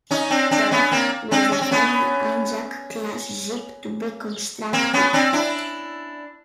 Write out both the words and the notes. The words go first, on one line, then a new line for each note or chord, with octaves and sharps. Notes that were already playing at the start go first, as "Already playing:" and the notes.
"Perth" was the final "Anzac"-class ship to be constructed.
C#4 D#4
C4 D4
C4 D4
B3 C#4
A#3 C4
C4 D4
C#4
C4
B3 C#4
A#3 C4
B3 C#4
C4 D4
D4 E4